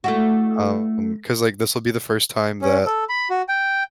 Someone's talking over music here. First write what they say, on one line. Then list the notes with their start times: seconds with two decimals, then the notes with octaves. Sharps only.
um, 'cause, like, this will be the first time that
0.04 A3 E4 F#4
2.62 C#4
2.86 A4
3.09 B5
3.30 F#4
3.49 G5